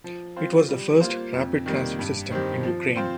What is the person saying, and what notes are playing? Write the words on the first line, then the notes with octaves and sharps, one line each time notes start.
It was the first rapid transit system in Ukraine.
F3
C4 F4 C5
G3
A#3 F4 C5
F2
D#3 G3 A#3
G2
D#3 C4 G4
F3
C4 F4 C5